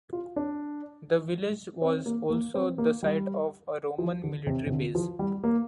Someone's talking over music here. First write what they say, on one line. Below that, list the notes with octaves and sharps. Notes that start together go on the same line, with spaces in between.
The village was also the site of a Roman military base.
F4
D4
C4
A#3
A#3
C4
A#3
G3
F3
D3
C3
C3
D3
F3
G3
A#3